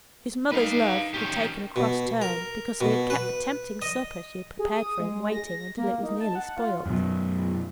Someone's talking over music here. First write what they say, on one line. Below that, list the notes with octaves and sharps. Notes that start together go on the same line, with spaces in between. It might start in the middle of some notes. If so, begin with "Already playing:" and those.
His mother's love had taken a cross turn, because he had kept the tempting supper she had prepared for him waiting until it was nearly spoilt.
D#4 A#4 B4 F5
C#4 G4
B2
A#4
B2
B4
D#5
G#4
D#6
G#3
A#6
A#3
D#4
A5
F#5
F4
F#2 B2